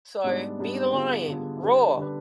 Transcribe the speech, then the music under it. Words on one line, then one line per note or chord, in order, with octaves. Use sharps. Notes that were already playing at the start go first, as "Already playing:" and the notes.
So, be the lion, roar.
G#2 G3 B3 D4
G#2 G3 B3 D4
D3 G3 B3 F4 G#4
D3 G3 B3 F4 G#4
D3 G3 D4 G4 B4
D3 G3 D4 G4 B4